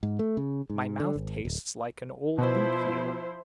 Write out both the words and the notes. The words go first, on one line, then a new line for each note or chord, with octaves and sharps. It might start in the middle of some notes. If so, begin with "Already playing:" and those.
My mouth tastes like an old boot heel.
G#2
A3
C#3
G#2
D3
G#1
D1
B2 F3 E4 C5